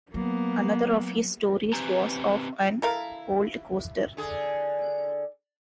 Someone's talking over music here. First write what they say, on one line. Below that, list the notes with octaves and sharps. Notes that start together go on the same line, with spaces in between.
Another of his stories was of an old coaster.
F#3 A#3 B3
C4 G4 B4 G#5 A#5
E4 A4 A#4 F5
D3 G#4